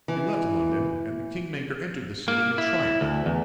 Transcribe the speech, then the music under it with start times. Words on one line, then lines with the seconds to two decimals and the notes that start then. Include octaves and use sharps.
She left London and the kingmaker entered the city in triumph.
0.08 E3
2.28 A#3
2.58 E4
3.01 D2
3.26 E2